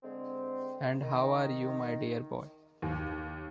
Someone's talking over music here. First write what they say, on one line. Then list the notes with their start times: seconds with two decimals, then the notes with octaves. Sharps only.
And how are you, my dear boy?
0.03 D3 G#3 C4
1.02 D#3
2.82 D#2